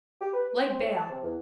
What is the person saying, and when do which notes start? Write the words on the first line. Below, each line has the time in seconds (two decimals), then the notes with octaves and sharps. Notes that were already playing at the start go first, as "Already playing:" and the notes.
Leg bail.
0.21 G4
0.34 B4
0.56 C5
0.69 C4
0.82 A2
0.95 A5
1.10 C3
1.23 E2